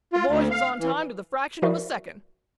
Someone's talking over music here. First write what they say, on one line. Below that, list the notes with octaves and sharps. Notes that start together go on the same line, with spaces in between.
The boys was on time to the fraction of a second.
F4
D2
F5
E3
F3 E4 F#4 A#4 D5 E5